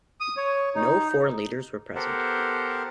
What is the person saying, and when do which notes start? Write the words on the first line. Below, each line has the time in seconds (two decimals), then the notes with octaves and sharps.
No foreign leaders were present.
0.20 D#6
0.37 C#5
0.75 D#4
1.95 B3 G4 A4 A#4 C5 F#5